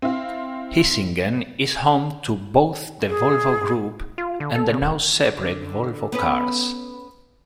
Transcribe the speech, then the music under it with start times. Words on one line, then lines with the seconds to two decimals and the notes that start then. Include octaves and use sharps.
Hisingen is home to both the Volvo Group and the now separate Volvo Cars.
0.02 C4 E4 F5
3.08 G#4
4.18 F4
4.40 D3
4.55 A4
4.69 C#3
4.82 D1
5.24 D3
6.12 B3 C#4 B4